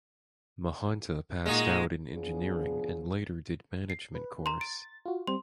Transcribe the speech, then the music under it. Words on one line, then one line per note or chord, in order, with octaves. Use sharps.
Mahanta passed out in engineering and later did management course.
A#2 G#3 D#4 F#4
F3 B3 D4 G#4
C7
B4
A#5 C6
A6 D7
F4 F#4
G3 C4 C6